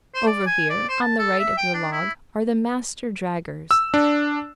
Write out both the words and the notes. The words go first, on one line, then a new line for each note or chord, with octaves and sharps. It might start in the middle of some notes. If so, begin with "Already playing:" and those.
Over here on the right of the log are the Master Draggers.
C5
D5
G#5
D5
C5
A5
A4
E5
G5
D4
E4
E6
D4